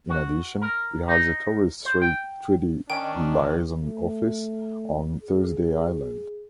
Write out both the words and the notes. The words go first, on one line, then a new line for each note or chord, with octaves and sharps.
In addition, it has a Torres Strait Treaty Liaison Office on Thursday Island.
F#4
A#4
D#4
C5
G5
D#3 C#4 D4 G5
A3
G#4